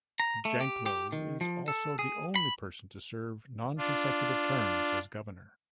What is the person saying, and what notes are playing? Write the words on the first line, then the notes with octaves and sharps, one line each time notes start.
Janklow is also the only person to serve non-consecutive terms as governor.
A#5
A3
G4
G4
D#3
F3
A4
G#4
B5
D4 F4